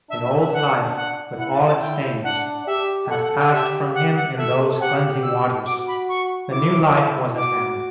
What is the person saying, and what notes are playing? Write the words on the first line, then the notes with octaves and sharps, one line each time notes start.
The old life, with all its stains, had passed from him in those cleansing waters; the new life was at hand.
D4 E5
E5
E5
F#5
F#5
E4 F#5
A5
A5
G5
D4 F#5
G4 E5
A4 F#5
F#5
G5
G4 E5
F#5
F#5
A4 E5
G4 F#5
E6
F#4 D6
B5
C#6
E4 D6
F#4 D6